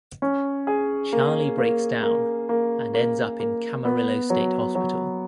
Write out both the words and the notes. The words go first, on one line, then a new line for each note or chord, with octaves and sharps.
Charlie breaks down and ends up in Camarillo State Hospital.
C#4
G#4
A#3
A#3
A#3
A#3
A#3
A#3
B3
F#3
F#3